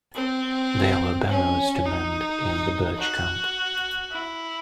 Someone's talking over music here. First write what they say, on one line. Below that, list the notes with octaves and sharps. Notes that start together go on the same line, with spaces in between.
There were bellows to mend in the Birch camp.
C4
C#4
D#4
F#4
E4